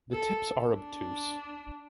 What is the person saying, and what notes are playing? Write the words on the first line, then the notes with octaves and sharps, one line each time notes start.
The tips are obtuse.
A4
D4